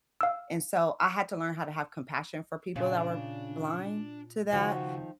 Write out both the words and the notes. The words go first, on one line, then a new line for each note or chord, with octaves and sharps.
And so, I had to learn how to have compassion for people that were blind to that,
F5 E6
A#2 C#3 D4
C#2 D#3 F3 F#4